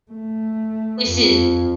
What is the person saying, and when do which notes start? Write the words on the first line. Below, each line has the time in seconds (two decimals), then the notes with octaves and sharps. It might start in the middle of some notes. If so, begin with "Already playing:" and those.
this is
0.12 A3
1.09 F2